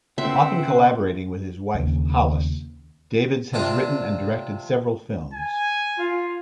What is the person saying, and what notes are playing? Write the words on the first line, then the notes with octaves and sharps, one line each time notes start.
Often collaborating with his wife, Hollace, Davids has written and directed several films.
C#3 B3 C4 C5 E5 F#5
D#2 C#3 A#3
C3 D4 F4
G#5
F4